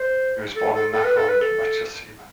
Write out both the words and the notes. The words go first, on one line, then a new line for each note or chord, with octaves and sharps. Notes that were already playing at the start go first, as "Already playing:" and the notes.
He was born in Nakhon Ratchasima.
Already playing: C5
A4
A4
A4
B4
A4
B4
A4